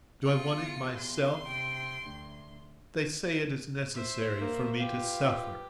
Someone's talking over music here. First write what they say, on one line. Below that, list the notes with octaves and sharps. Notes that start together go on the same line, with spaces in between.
Do I want it myself? They say it is necessary for me to suffer!
E2 F4 C#7
C6
C3 G5
D2
C5 E5
A#3
F4 G4 B4